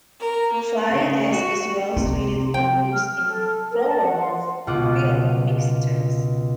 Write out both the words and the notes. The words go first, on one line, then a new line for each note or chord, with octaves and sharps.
Fly ash is well suited for use in flowable fill mixtures.
A#4
A#3
C#3
F#4
C3 D#4
G5
F6
F6
A4
A#4
A5
F#5
C6
C#2 B2 F4 F#5 D6